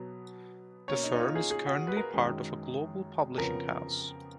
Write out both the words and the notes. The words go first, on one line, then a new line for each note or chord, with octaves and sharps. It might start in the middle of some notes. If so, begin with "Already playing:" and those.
The firm is currently part of a global publishing house.
Already playing: B2 F#3 B3
B2 A#3 C#4 C#5
D#4
D#4
F4
G#4
G#4
F#4
B4
A#4
F#2 D#3 G#3 C#4
F2 C#3 F3 B3 A#4